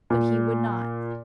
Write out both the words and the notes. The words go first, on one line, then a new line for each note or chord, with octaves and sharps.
But he would not.
A#2